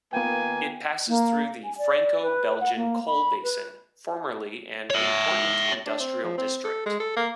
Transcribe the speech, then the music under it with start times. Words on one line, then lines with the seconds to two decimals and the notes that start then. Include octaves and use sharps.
It passes through the Franco-Belgian coal basin, formerly an important industrial district.
0.13 D#3 A#3 B3 F4 B4 G5 G#5
1.08 A#3
1.64 G#5
1.78 D5
2.22 B4
2.61 F#5
2.76 A#3
3.07 B5
3.43 B4
4.90 C#5 E5
5.86 D4
6.00 C4
6.24 F3
6.38 C4
6.65 A4
6.86 G#3
7.00 A4
7.16 A#3